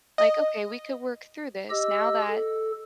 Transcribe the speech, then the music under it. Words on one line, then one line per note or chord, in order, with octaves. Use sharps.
Like, "Okay, we could work through this now that
D#5
G4 D#5 E6
A4